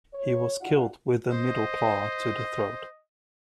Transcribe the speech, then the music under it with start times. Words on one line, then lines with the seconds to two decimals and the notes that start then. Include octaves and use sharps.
He was killed with a middle claw to the throat.
0.14 C#5
0.61 D#4 F4 F#4 D5 F5 F#5
1.30 C5 D#5